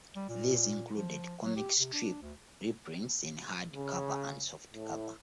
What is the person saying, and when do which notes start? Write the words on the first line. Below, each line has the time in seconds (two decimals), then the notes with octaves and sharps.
These included comic strip reprints in hard cover and soft cover.
0.16 G3
0.29 A#2
0.96 F3
1.44 F#3
1.56 G4
1.79 C3
1.93 D4
2.22 D2
3.73 C#3
4.74 A2